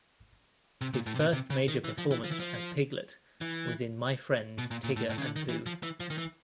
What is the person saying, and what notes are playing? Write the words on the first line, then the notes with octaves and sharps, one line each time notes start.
His first major performance as Piglet was in "My Friends Tigger and Pooh".
C3
A#2
A2
C3
B2
C3
C#3
D#3
E3
F3
E3
F3
E3
F3
E3
B2
A#2
A#2
A2
A2
C#3
D3
D#3
E3
F3
E3
F3
D#3
E3